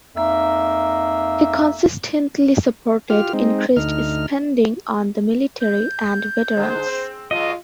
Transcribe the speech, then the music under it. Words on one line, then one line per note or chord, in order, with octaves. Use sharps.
He consistently supported increased spending on the military and veterans.
F2 A#3 D#4 E5
F4 G4 F6
G#3 C4 D#4
D2 D#4 F6
G6
D3 G#3 C5
C4
B2 F#3 G#3 F4 D#5